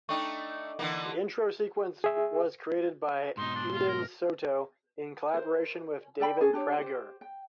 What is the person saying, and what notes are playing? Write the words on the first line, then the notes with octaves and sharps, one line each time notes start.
The intro sequence was created by Eden Soto in collaboration with David Prager.
A3 D4 D#4 G5 C#6
D3 E3 A#3
G#4 E5
G#2 B2 D#4 C6
D4
F4
A#4
A#4 C5
A4 D5 G5 B5
C#4 G#4 A4
D4 G4 C#5
G4 C5
G5